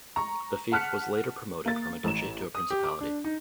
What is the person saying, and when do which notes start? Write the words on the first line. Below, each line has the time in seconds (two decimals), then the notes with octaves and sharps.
The fief was later promoted from a duchy to a principality.
0.16 A#5 C#6
0.72 F#5 A5 F6 F#6 B6 C#7
1.66 A#3 A6
2.04 A1 A#5 E7
2.55 D#6
2.70 G4
2.84 D6
3.01 D4
3.24 D#4